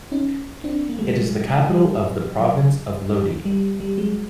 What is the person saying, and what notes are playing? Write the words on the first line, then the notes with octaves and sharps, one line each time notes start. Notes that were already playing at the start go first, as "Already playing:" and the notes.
It is the capital of the province of Lodi.
C#4 D#4
C4 D4
A#3
G3 A3
F#3 G#3
G3
F#3
F#3
G3
G3
F#3 G#3